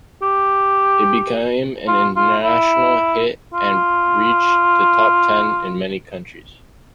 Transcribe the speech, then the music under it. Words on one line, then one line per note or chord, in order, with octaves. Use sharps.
It became an international hit and reached the top ten in many countries.
G4
F4
F4
E4
F4